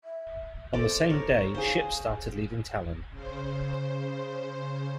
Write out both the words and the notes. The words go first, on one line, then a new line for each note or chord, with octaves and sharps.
On the same day ships started leaving Tallinn.
E5
A4 C5 D5
A#4 C#5
G#4 C5 F5
C#3 C5